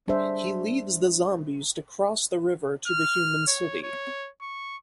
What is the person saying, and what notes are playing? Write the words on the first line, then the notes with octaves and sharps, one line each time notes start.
He leads the zombies to cross the river to the human city.
G3 D4 G#4 C5 E5
F6
C#5
C#5
C#6